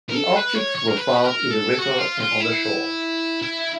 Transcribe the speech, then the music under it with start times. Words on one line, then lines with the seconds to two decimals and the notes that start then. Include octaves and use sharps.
The objects were found in the river and on the shore.
0.09 A#4
0.14 A4
0.36 B4
0.55 C#5
0.76 C#5
0.88 A#4
0.97 B4
1.24 A#4
1.51 A4
1.79 F#4
1.98 F4
2.20 F4
2.40 E4
3.42 E4